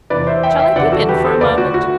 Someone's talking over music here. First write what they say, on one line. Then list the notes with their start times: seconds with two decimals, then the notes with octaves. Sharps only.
"Shall I peep in for a moment?"
0.10 E2 C3 E3 B4 D5
0.27 C5 E5
0.43 E5 G5
0.59 E5 G5
0.76 E2 D3 D5 F#5
0.92 F#4 A4
1.09 G4 B4
1.25 A4 C5
1.41 D2 D3 B4 D5
1.58 F#4
1.74 F#4